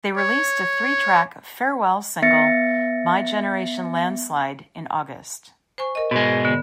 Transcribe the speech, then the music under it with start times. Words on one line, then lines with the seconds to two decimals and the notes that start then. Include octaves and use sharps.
They released a three-track 'farewell' single, "My Generation Landslide" in August.
0.18 C#5
2.22 B3 E5 A6 A#6 C#7
5.78 C5 G#5 C#6
5.95 A#4 D#5
6.11 G#2 B2 G#3
6.45 D3 B3